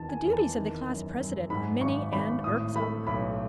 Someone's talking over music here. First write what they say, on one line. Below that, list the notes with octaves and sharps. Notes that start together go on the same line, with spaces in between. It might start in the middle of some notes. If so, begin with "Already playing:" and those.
The duties of the class president are many and irksome.
Already playing: E2 D#3 A5
G#5
E2
A5
D#3
F#2
F#2
G#2 B5
G#1 C#6
G#1 B5
A2 D#6
A3 B5
B1 B5